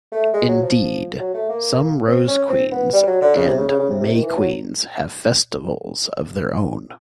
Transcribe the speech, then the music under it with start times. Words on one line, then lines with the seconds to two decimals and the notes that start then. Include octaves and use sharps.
Indeed, some Rose Queens and May Queens have festivals of their own.
0.12 A3
0.33 G#3
0.48 F#3
0.63 F3
1.20 F#3
1.34 A3
1.49 A#3
2.06 C4
2.28 C#4
2.49 C4
2.71 B3
2.93 G3
3.07 F#3
3.21 D3
3.36 C#3
3.47 C3
3.57 C#3
3.68 C#3
3.79 C#3
3.90 C3
4.01 C3
4.11 D#3
4.22 E3
4.37 F#3